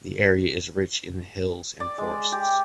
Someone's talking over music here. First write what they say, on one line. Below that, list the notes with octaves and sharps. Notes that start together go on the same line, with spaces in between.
The area is rich in hills and forests.
D5
G#3
G4